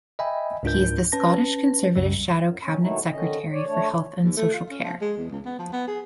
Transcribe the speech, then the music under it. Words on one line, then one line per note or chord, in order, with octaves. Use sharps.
He is the Scottish Conservative Shadow Cabinet Secretary for Health and Social Care.
D#5 E5 G5 G#5 B5
C#2 G#2 D4 F4 A#4 G6
C#4 B4 A5 A#6
C2 F#2 C#3 G3
F#2
C#4
B2 D#3 F#3 A3 D#4 E4
D3 D#3 C#4 D#5
C#5 D5
A3 D4 C#5
D#2
A3
F4
C#4
F3
G#3
E2
C#2
B3
F3
B3
G#4